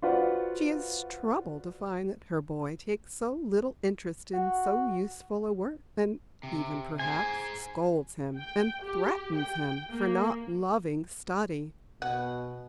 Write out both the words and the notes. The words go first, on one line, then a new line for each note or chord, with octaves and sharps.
She is troubled to find that her boy takes so little interest in so useful a work, and even, perhaps, scolds him, and threatens him for not loving study.
F4 F#4 B4 C5 D5 F#5
F#4
C3
G#4 C5 G#5
G5
G4
G5
A#3
B2 F#5